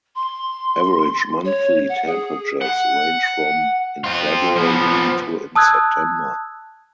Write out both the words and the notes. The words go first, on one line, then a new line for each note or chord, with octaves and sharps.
Average monthly temperatures range from in February to in September.
C6
C#5
F#5
G#4
F#5
C4 F4
F3 B3
A5 D#6 E6 F#6 G#6